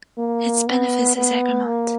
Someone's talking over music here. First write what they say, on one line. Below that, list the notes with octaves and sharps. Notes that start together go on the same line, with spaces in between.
Its benefice is Egremont.
A#3
B3
B3
A#3